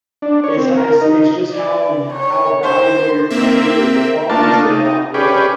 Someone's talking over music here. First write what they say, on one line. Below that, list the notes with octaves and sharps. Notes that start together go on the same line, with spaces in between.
it's ho it's it's just how h how valuable your friend is, the qualities they have. Yeah,
D4
C#5
C4
A#4
D#4
D5
C#5
C5
A#3 C4 E5
A3 A#3 D4 F4 A5
D#4
C#4 G4 G#4 B4 D5